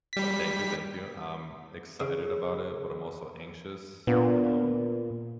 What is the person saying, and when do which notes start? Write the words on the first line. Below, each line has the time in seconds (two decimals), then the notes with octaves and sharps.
Thank you. Thank you. I'm excited about it, but I'm also anxious, um,
0.13 G3 B6
1.99 C#3
4.07 A#2 B3 D4 F4